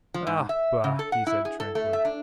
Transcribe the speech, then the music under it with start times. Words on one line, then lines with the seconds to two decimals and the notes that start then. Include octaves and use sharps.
"Ah, bah!" he said tranquilly.
0.14 F3
0.27 G#2
0.49 E5
0.84 C#3
0.99 A4
1.12 F#5
1.27 E4
1.45 G#4
1.60 A4
1.75 A3
1.93 E5
2.05 D4